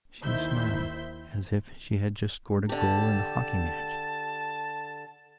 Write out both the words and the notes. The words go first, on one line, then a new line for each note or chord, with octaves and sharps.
She was smiling, as if she had just scored a goal in a hockey match.
D#2 D#3 E4 C5 E5 G6
D3 G4 A5